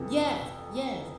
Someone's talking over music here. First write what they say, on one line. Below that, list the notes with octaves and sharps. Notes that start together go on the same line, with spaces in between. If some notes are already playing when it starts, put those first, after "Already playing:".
Yes. Yes.
Already playing: F2 C3 E3 A4